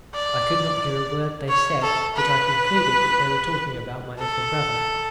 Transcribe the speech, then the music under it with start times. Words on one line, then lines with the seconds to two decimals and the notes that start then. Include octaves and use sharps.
I could not hear a word they said, but I concluded that they were talking about my little brother.
0.15 D5
1.49 C#5
1.83 A4
2.17 B4
4.19 A4